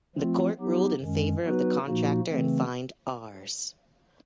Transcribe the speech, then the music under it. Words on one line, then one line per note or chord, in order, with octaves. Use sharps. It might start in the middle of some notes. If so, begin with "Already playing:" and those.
The court ruled in favor of the contractor and fined Rs.
F3 A3 C4 F4
F#3 B3 D#4 G4
F#2 D#3 G#3 C#4
F#3 B3 D#4 F#4 B4
A#2 F3 A#3 D#4 F#4
C#3 E3 A3 C4